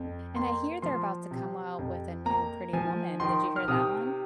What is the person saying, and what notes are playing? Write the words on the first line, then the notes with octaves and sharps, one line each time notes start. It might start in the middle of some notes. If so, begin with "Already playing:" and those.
And I hear they're about to come out with a new Pretty Woman. Did you hear that one?
Already playing: F2
A#3 C6
F3 C6
C3
F2
A#3 A#5
F3 G#5
D#3 C6
F6
C3 D#6